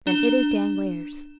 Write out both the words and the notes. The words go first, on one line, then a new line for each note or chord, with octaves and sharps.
"Then it is Danglars."
D4 E7 G7